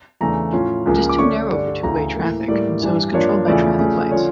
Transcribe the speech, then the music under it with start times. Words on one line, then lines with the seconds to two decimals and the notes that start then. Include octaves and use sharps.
It is too narrow for two-way traffic, and so is controlled by traffic lights.
0.21 E2 C#3 E3 A3 D4 A#5
0.53 A2 F3 C#4 F4
0.86 C#2 C#3 F3 A#3
1.09 D6
1.18 D3 A3 C#4 C#6
1.51 G2 D3 G3
1.83 D2 C#3 E3 A#5
2.16 A2 E3 A#3
2.48 A2 G3 A#3 D5
2.81 G2 E3 G3 D4
3.14 G2 F3 A#3 D4 F4 C#5
3.46 E2 C#3 F3 A3 E4 D5
3.79 C#3 F3 A3
4.11 D3 F3 C#4 F4 C#5